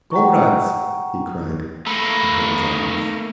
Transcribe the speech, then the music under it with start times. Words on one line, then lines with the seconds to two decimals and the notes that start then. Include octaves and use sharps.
"Comrades!" he cried and there was a hush.
0.11 F#5 G5 A#5 C#6
1.87 D#3 A3 A#3 B4